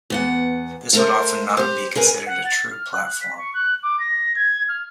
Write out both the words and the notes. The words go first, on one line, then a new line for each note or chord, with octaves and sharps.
This would often not be considered a true platform.
E2 B3 F#5
A3 A#4 C5
G4 C5
G#4 A#4 B4 G#5
F#5
A6
F6
F#6
F#6
B6
C#6
F#6
D6
A#6
G#6
F6